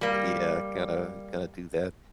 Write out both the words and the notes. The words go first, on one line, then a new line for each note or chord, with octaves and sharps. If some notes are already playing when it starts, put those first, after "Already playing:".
yeah, gotta gotta do that.
G3 A#3